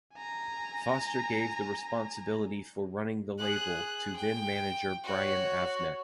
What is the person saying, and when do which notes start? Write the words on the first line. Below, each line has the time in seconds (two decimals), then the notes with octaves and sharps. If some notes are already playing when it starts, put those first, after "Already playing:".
Foster gave the responsibility for running the label to then manager Brian Avnet.
0.15 G#5 A#5
3.39 G#4 F#6
4.17 G5
5.04 F#4 C#5